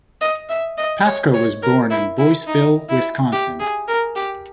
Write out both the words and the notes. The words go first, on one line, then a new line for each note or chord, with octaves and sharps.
Pafko was born in Boyceville, Wisconsin.
D#5
E5
D#5
C#5
C#5
A#4
E4
E4
D#4
E4
G4
G#4
A#4
G4